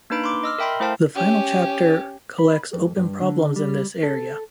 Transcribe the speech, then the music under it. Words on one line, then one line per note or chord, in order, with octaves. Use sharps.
The final chapter collects open problems in this area.
A#3 D4 D#4 B4 B5 D7
C6 D6
D#5 E6 F6
A#4 E5 G5 B5 C6
A3 E4 C5 F5 G5 A5
C#4 G4
B5
F2
G2
D3
G3
A4